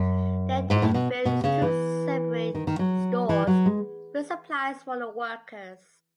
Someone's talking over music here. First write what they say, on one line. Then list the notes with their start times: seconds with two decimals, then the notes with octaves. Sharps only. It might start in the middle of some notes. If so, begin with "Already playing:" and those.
They, too, built two separate stores with supplies for the workers.
Already playing: F#2
0.70 G#2
0.82 A2
0.94 B2
1.25 B2
1.44 C#3
1.62 E3
2.55 D#3
2.67 D#3
2.79 F#3
3.29 E3
3.47 F#3
3.66 G#3